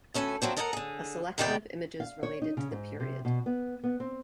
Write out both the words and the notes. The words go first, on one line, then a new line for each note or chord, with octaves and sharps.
A selection of images related to the period.
D2 C#4 A4 B4 G#5
F3 F#3 C4 D4
A4 A#4 D#5 F#5 G5 A#5
D3 G#4
E2 C3 D#3 B3 D5 G5
F5
C#5
D#4
C#3
G#2
C3
B2
B3
B3
C4